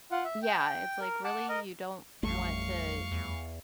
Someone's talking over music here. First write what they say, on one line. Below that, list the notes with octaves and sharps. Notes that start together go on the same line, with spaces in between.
Yeah, it's like, "Really? You don't want to,
F4 F#5
E5
G5
A#4
F#5 A5 D6
A#4 D#5
A1 F2 G3 A3 F5 C#6
E2